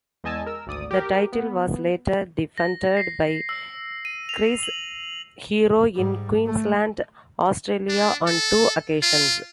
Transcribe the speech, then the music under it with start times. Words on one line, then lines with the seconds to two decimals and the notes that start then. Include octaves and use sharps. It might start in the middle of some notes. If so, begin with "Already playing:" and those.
The title was later defended by Chris Hero in Queensland, Australia on two occasions.
0.24 E2 G#3 D#5 G#5 A5 E6
0.46 A#4 E6
0.66 G#1 D2 D5 D#6
0.91 G4 A#4
1.33 B3
2.58 A#6
2.97 C7
3.49 E6
4.05 D#7
4.29 F7
4.63 F#7
5.95 G#2 G3
6.46 A3
7.89 D4
8.26 A4
9.02 F4